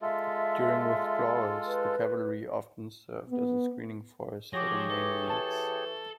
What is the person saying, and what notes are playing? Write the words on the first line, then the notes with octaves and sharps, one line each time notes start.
During withdrawals, the cavalry often served as a screening force for the main units.
G#3 F4 A4 E5
B4
B3
F3 F#3 G4 G#4 C#5 D6 A#6
E3 A4
A4 A5